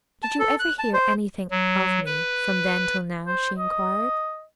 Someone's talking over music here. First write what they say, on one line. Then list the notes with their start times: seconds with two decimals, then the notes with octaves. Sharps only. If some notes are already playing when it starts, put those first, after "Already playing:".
"Did you ever hear anything of me from then till now?" she inquired.
0.23 A5
0.39 A4
0.60 F#6
0.79 A5
0.93 C5
1.51 F#3
2.06 B4
3.27 C5
3.58 D#5